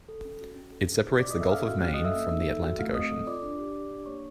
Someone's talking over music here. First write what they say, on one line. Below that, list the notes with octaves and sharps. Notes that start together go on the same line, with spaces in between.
It separates the Gulf of Maine from the Atlantic Ocean.
A4
C#4
F#4
C#4
A4
C#4
F4
C#4 D5 D6
D#5 D#6
A4 E5 E6
C#4 F5 F6
F#4 F5 F6
F#6
C#4 F5 F6
D#5 D#6
A4
E5 E6
A#3
D#4
A4
F#4
A3 F5 F6
C4 D#5 D#6
A4
F4 D5 D6
D4
G4
G4
D4
A#3 C#5 C#6